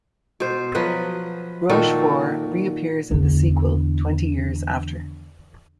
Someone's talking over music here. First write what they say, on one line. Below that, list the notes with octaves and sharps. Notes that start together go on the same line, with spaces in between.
Rochefort reappears in the sequel, "Twenty Years After".
B2 C5
F3 F#3 B4 D#5
A#2 D#3 F#4 A4
E2 D3